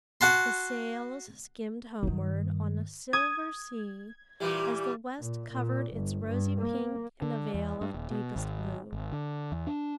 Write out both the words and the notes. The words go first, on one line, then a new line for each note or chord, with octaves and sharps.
The sails skimmed homeward on a silver sea as the west covered its rosy pink in a veil of deepest blue.
F#4 F#5 A5 C6
G2 D#3
D#6 G#6
A#2 E3 G3 G4
A#2
A#2
G1
G2
A#3
D3
E2
G2
D#1
B2
G#1
G#1
D3
E2
D4